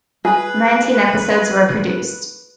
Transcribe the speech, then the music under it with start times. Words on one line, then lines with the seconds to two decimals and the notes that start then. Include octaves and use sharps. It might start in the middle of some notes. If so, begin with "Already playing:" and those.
Nineteen episodes were produced.
0.25 G#4 B4